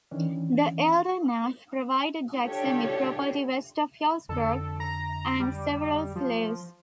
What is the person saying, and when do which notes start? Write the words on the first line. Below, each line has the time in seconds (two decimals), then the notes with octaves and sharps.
The elder Nash provided Jackson with property west of Hillsborough, and several slaves.
0.11 D#3 E3 C#4 D4
2.44 D4 F4 G4 A4 C#5
4.29 F2 D3 A4
4.80 A#5
5.40 G3
6.16 F3